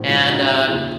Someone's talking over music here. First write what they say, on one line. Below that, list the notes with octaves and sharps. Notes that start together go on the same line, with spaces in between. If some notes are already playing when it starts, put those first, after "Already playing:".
and, uh, m
Already playing: A#1 G#2 D#3
F3 G#3
D#4 F#4
F1 D#2 C#3 F4 G#4